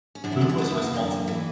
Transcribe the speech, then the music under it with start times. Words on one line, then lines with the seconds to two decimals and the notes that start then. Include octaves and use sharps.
Who was responsible?
0.15 C#4
0.24 F#2 E3 D4
0.32 E4
0.41 D4
0.49 E4
0.58 E2 B2 D4
0.71 E4
0.82 A#3
0.93 F#2 D3
1.28 E3